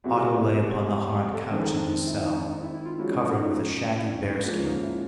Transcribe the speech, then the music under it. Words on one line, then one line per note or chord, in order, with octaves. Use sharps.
Otto lay upon the hard couch in his cell, covered with a shaggy bear skin.
E2 C3 E3 G3 F#4
G4
A4
D#3 G#3 C4 A4
D#4
D4
D#4
E4
D#4
D4
D#4
E4
E4
F4
F3 G#3 C#4 E4 F#4
D4
D#4
D4
D#4
G#2 F3 A#3 C#4
D#4
E4